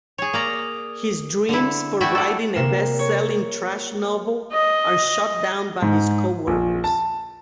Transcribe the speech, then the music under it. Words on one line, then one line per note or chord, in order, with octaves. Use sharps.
His dreams for writing a best-selling trash novel are shot down by his co-workers.
G#4 C#5
A#3 D5 A#5
D3 E4
A3 E4 F#4 D5 E5 G5
A4 D5
C3 A#3 E7
C#5
D#5
G#2
A#1
A5